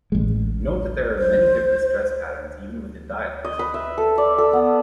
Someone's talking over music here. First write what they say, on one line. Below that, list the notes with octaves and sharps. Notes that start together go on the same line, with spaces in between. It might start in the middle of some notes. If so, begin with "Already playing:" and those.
Note that there are many different stress patterns even within dialects.
A1 G#3
C5
D#5
B4
E5
A4
D5
A4
B3